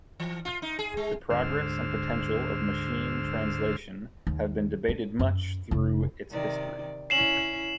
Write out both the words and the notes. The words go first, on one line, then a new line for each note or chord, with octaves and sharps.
The progress and potential of machine translation have been debated much through its history.
E3
F4
D#4
G#4
G#3
D2 G#2 D3 C5 E6 F6
D#2
D4
F#2
F1 D4
C3 D#3 D5
C#4 E4 C7 E7 F#7